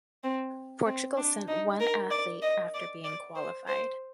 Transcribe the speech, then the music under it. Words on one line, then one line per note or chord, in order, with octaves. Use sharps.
Portugal sent one athlete after being qualified.
C4
C4
D4
D#4
A#4
D5
D#5
D5
D5
C5
C5